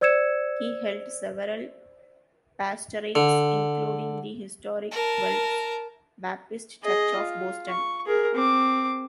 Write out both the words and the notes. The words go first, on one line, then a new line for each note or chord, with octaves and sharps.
He held several pastorates, including the historic Twelfth Baptist Church of Boston.
C5 D5 E6 G#6 C#7 E7
D3
A#4 A5
G#4 D#5
F4
C#6
G#4 A#4
C4 D6